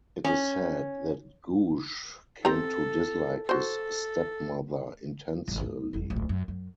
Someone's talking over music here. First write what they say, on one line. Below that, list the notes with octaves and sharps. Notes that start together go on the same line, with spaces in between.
It is said that Googe 'came to dislike his stepmother intensely'.
C#4
C4 G4 A4 A#5
F#4 A4 C5
D#1 G#1
D2
G1 F2
D1 A#1
F#2
F#2